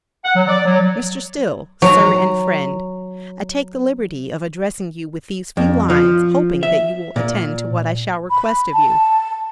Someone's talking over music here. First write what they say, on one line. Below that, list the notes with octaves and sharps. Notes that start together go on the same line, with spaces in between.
Mr. Still:--Sir and Friend--I take the liberty of addressing you with these few lines hoping that you will attend to what I shall request of you.
F#5
F#3
D5
F#3
F#3 A#5
F2
F3
E5
A#2
B5
A5